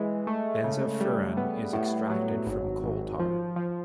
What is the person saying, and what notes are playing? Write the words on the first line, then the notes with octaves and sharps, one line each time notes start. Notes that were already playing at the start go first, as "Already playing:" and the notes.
Benzofuran is extracted from coal tar.
Already playing: E3 G#3
A3
C#3
G3
B3
A2
F#3
G#1
G#1
F3
F3